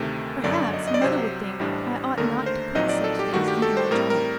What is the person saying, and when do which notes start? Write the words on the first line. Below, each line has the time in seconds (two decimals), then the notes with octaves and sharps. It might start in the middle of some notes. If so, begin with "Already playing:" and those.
Perhaps mother would think I ought not to put such things into my journal.
Already playing: D2 C3 D#3 A3
0.44 G1 F#2 D3 F#3 D5
0.74 D#5
0.87 D#5
0.94 D5
1.02 C2 C3 F#3 C5
1.60 A1 A2 G3 D4
2.17 D#2 D3 A3 A#4
2.46 C5
2.75 A#1 A#2 F#3 C4 D#4 D#5
2.89 D5
3.04 A4
3.19 G4
3.33 G2 D#3 A3 D4 F#4
3.48 G4
3.62 A4
3.77 C5
3.91 A2 G3 C4 A#4
4.10 A#4